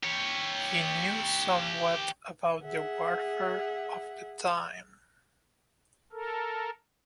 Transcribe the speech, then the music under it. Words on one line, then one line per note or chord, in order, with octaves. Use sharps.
He knew somewhat about the warfare of the time.
G4 C#5
G#4 E5 F#5
A4 A#4